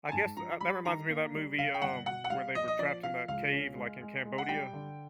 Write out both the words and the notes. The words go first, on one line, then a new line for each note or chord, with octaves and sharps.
I guess, uh, that reminds me of that movie, um, where they were trapped in that cave, like, in Cambodia
G#5
G#2 A5
F3 A#5
G3 B5
D#3 A#5
A#3
G3
C#3 F5
G5
G1 F#5
B2 F#5
F#5
G3 F5
A#1 D#5
D#5
F3 D5
F3 F5
C#2 F5
C#4
G#3
G#3
G#3
F#5
G3 G5
D3